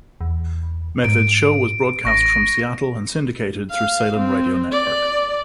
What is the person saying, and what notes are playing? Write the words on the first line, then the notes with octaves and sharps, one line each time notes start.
Medved's show was broadcast from Seattle and syndicated through Salem Radio Network.
E2
G#2 D7
A1 C#6 A#6 D7
F5
C4
D5